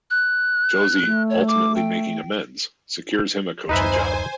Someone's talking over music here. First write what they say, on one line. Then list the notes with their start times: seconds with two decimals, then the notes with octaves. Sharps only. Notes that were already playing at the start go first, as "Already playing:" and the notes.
Josie, ultimately making amends, secures him a coaching job.
0.11 F#6
1.05 A3
1.30 C#5
1.48 D6
1.76 G5
3.69 D1 F#2 D#4 B4 C5 E5 G#5